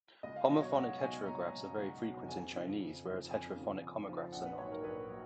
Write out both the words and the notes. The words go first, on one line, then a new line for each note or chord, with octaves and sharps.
Homophonic heterographs are very frequent in Chinese, whereas heterophonic homographs are not.
C#2 D#5
F5
B2 F#3 D#5
C#5
C#2 F#5
B2 F#3 G#5
C#2 A#5
B2 F#3
C#2
B2 F#3
F2 G#5
C#3 F3
F2
C#3 F3
F2 G#5
C#3 F3
F2
C#3 F3
A#1 F#5
B4
G#2 F#3 C#5
A#4
A#1 B4
F#3